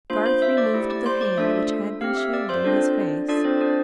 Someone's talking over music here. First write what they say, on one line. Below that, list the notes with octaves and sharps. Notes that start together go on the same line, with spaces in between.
Garth removed the hand which had been shielding his face.
A#3 D4 F4 C5 C6
C5 C6
E5 E6
D5 D6
A3 E4 G4
D5 D6
C5 C6
D5 D6
A3 D4 F4 A4 E5 E6
C4 G4 F5 F6
E5 E6
D5 D6
C5 C6
C4 D4 F4 A4 D5
D4 F4 A4 D5
C4 C5
D4 D5